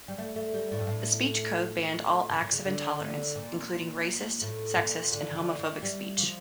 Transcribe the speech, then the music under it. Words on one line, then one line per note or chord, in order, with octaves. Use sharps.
The speech code banned all "acts of intolerance" including racist, sexist and homophobic speech.
G3
A3
A3
G3
A2
G2
A2
C#3
A#2
C#3
D3
D3
A#2
A2
A#2
D3
C#3
D3
E3
G3
F3